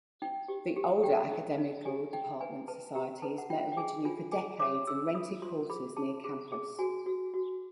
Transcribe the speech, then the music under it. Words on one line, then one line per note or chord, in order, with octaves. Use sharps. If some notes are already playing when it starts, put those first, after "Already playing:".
The older Academical Department societies met originally for decades in rented quarters near campus.
D#4 G5
G4
G4
G4 G5
D#4
D#4
G4 G#5
D#4 G5
B4 G#5
B4 A5
G4 A#5
B4 A5
F#5
F4 G5
G5
G#4 G#5
F4 G#5
G#4 G#5
C#5 D6
G#4 E6
F4 D#6
F4 C6
G#4 B5
G#4 A5
G#4
G#4
F#4 G#5
F#4
F#4